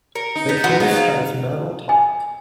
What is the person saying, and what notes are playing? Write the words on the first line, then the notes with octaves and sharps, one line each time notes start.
The case has metal top.
A#4 C#7
D#4
B3 G6 A#6 B6
E2 B3 F#4
F#3 B3 D#4 G#4 C5
F5
G#5